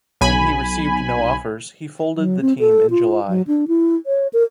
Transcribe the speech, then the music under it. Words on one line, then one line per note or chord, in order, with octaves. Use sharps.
When he received no offers, he folded the team in July.
B1 G#5 B5
F#3
C4
A4
F4
F#3
D4
E4
C#5
A#4